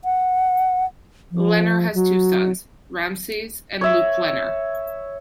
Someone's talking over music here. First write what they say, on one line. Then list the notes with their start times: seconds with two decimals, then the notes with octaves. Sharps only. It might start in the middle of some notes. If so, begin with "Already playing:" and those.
Lehner has two sons, Ramses and Luke Lehner.
0.05 F#5
1.31 F3
1.94 F#3
3.81 C#5 E5